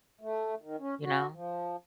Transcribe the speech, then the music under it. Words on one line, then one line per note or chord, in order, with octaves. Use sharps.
you know?
A3
D#3
C#4
F#4
F3